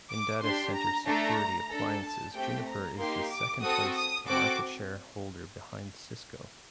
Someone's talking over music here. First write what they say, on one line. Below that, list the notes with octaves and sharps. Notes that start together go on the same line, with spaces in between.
In data center security appliances, Juniper is the second-place market-share holder behind Cisco.
D6
D4 G4 C6
A#5
A3 D4 A4 A#5
D4 A4
A5
A3 C4 G4 G5
A#5
A#3 D#4 G4 C6
D6
C4 F#4 A4 D#6
D#6
C4 F#4 A4 D6